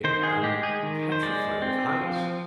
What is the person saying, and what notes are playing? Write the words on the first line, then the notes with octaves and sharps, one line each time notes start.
I am petrified of heights.
D#3 C5
G#4
G#3 G4
G#4
D#3
C5
G#3 D5
C4
F3